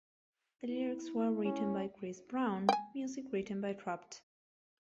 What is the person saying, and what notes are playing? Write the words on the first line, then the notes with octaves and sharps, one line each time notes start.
The lyrics were written by Chris Brown, music written by Trapt.
E4
C#4
G5 G#5